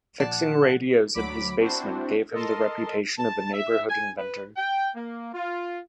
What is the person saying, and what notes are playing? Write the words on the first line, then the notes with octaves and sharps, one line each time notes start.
Fixing radios in his basement gave him the reputation of a neighborhood inventor.
A#2 F3 D5 F#5 A5
D2 F#3 B5 D6 B6 D7
C4 D4 E4 F#4 C5
A4 A#4 D#5 A5 C6
A5
E5
G#5
B4
G5
A#3
F4